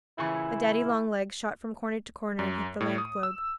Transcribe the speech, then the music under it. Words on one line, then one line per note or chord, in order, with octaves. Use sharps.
A daddy-long- legs shot from corner to corner and hit the lamp globe.
A#2 C#3 E3 E4 G#5 C#6
F#2
A2
D#6
E6